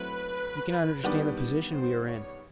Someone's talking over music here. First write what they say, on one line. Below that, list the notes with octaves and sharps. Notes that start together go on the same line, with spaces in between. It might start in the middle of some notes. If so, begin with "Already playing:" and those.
You cannot understand the position we are in.
Already playing: F#3 A3 C4 E4 B4
D#3 G3 B3 D4 G4
C5
C#5